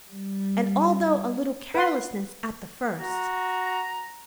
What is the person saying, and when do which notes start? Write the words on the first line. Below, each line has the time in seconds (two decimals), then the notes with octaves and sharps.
And all though a little carelessness at the first.
0.10 G3
1.74 B4 F#5 C6
3.00 F#4 A#5